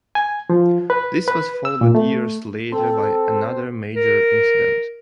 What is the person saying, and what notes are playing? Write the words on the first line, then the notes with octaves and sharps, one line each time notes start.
This was followed years later by another major incident.
G#5
F3
B4
B4
E6
A#2
A3
C4 A4
A#4